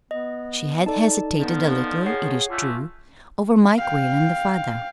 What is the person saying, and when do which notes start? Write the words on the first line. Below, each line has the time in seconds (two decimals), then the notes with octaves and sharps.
She had hesitated a little, it is true, over Mike Whalen, the father.
0.11 B3 D#5
0.86 D#4 A4 D5 A5
1.40 B2 D#3 F3 B3
2.06 G#4 C#5 F#5 C7
2.50 D3 A3 C#4 F4
3.78 F5 G5